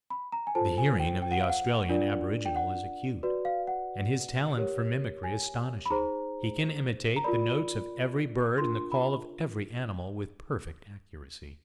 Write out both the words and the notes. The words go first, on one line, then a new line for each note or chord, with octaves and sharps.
The hearing of the Australian aboriginal is acute, and his talent for mimicry astonishing; he can imitate the notes of every bird and the call of every animal with perfect accuracy.
B5
A#5
G#5
F4 A4 C5 A5
G#5
G5
G5
F#5
F5
F#5
D4 F4 A#4 D5
G5
F#5
F#4 B4 D5
F5
F#5
G4 A#4 C#5
G#5
B5
D#4 G#4 C5 A#5
A#5
F4 A#4 D5 B5
D4 F4 A#4 C6
B5